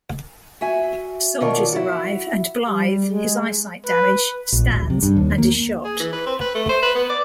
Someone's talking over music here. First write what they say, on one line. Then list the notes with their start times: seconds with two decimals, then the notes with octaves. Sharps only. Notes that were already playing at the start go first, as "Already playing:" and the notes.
Soldiers arrive and Blythe, his eyesight damaged, stands and is shot.
0.61 F#4 E5 G#5
1.40 B2 D#3 F4 A#4 C#5 D5
1.73 E4 F#4
2.69 G3
3.11 G#3
3.87 B4
4.52 A#1
4.72 D1
4.90 C3
5.03 G2
5.16 D#2
5.38 A#3
5.84 G#4
6.00 E3
6.12 B4
6.26 C4
6.41 B4
6.55 A3
6.69 C5
6.83 B4
6.95 B3
7.10 D5